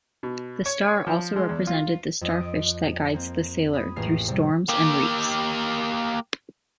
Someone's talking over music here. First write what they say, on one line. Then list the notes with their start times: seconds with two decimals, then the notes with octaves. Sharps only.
The star also represented the starfish that guides the sailor "through storms and reefs".
0.23 B2
0.66 C#5
1.07 F3
1.36 G#3
1.49 E2
1.67 F4
2.21 F2 D#5
2.41 D7
3.14 A#3 C4
3.74 B5 D#6 G#6
3.96 A1 A#3 G#4 F6 C7
4.28 C3 G3
4.69 A#3 G4